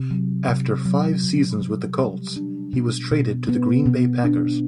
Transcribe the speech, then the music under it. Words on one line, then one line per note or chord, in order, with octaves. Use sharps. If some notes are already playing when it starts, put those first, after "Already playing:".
After five seasons with the Colts, he was traded to the Green Bay Packers.
Already playing: C3
F#3
C3
F#3
B2
G3
G3
D4
B2
B2
B3
B2
D4